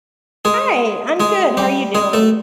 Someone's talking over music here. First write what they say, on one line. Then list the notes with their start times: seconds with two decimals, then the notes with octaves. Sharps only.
Hi. I'm good. How are you doing?
0.45 G#3 G#4
1.20 G#3 G#4
1.57 G3 G4
1.95 G#3 G#4
2.13 A3 A4